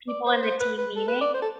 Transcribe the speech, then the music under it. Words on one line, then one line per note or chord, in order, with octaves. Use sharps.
people in the team meeting?
D5
C5
C5
B4
B4
A4
B4
D5
C5
A4